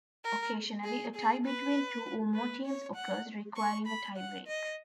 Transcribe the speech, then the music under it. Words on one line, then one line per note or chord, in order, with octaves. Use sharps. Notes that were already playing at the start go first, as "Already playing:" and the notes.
Occasionally, a tie between two or more teams occurs, requiring a tie-break.
A#4
G#4
G#4
B4
B4
C#5
F#5
C#6
B5
F#5
D#5